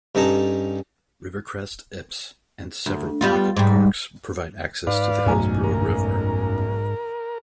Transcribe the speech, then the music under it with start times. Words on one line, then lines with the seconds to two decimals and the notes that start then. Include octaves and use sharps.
Rivercrest, Epps, and several pocket parks provide access to the Hillsborough River.
0.15 G2 C#4 D#4 A4 A5 A#5
2.86 D2
3.21 G3 B3 F4
3.56 G#2 G3
4.87 G#2 B4 D5 F5
5.26 B1 F#2 A3 G#5 A#5
5.64 A#4